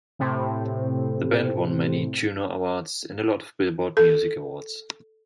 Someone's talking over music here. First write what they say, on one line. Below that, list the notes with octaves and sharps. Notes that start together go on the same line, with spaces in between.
The band won many Juno Awards and a lot of Billboard Music Awards.
A2 C3 C4
A4